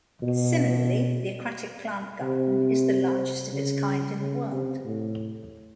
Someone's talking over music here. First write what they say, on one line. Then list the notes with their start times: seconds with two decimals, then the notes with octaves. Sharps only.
Similarly, the Aquatic Plant Garden is the largest of its kind in the world.
0.23 B2
2.21 C3
3.53 C#3
4.19 C#3
4.52 C3
4.85 A2